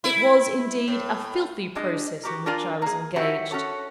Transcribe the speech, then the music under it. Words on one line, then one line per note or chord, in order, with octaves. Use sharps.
It was, indeed, a filthy process in which I was engaged.
E4
A2
G3 G#3 D4 D#5
F#4 G4 A#4
D4 F4 A#4 D5 G#5
A#3 G#4
A3 C#4 E4 F#4 G4 E5
C#4 F#4 A4 C#5